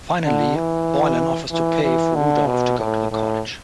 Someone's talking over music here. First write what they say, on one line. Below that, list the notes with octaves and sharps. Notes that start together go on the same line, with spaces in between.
Finally Boylan offers to pay for Rudolph to go to college.
D3
E3
E3
E3
D3
B2
A2
A2